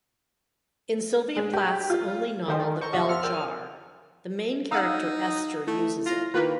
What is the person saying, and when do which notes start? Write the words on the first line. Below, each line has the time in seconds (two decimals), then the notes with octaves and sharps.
In Sylvia Plath's only novel The Bell Jar the main character Esther uses it.
1.37 G#3
1.53 G4
1.90 F4
2.48 D#3 G4 A4 C5 G5 G#5 C6
2.59 D5
2.81 A4 A#4 C5 C#6 C#7
2.93 B1 G4 E5 F#5
3.09 F2 C6 E6 F6 C#7
3.23 G#4 A#4 D5 G5 E6
4.71 D#4 F5 F#5 A#5 D#6 E6
5.67 A3 E4
6.06 F4 A#6
6.34 D#3 A#3 F4 B4